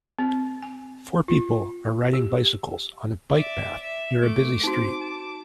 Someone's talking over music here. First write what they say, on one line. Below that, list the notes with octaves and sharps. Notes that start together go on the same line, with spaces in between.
Four people are riding bicycles on a bike path near a busy street.
C4
G#5
F4
G4
D5 E5
E5
A3 D6
C4 D#4 F#4
A5